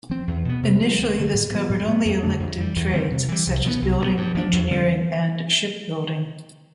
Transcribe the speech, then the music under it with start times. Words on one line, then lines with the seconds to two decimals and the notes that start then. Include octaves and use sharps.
Initially this covered only elected trades, such as building, engineering and shipbuilding.
0.10 F3 C4
0.27 E2
0.45 B2 B3
0.63 C3
0.81 F3 C4
0.98 D2
1.16 D3 A3
1.34 A2
1.51 F3 B3
1.69 A2
1.87 G3 B3
2.05 F2
2.23 D3 A3 D4
2.40 F2
2.58 E3 G3
2.76 E2
2.93 D3 G3 C4
3.11 C3
3.28 E3 G3
3.47 C2
3.64 B2 G3 B3
3.82 C2
4.00 B2 G3 B3
4.17 G2
4.35 F3 B3 D4
4.53 E2
4.71 D3 G3 C4